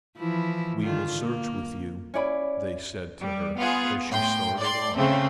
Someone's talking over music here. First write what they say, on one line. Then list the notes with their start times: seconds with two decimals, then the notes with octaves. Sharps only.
"We will search with you," they said to her as she started off.
0.17 E3 F3 E4
0.83 D3 D#3 F4
1.21 A#3
2.14 C#4 E4 D5 B5
3.20 G3
3.57 B3 F4 G#4
4.09 A2 G5 C6
4.60 D5 C6
4.96 C#3 A3 C4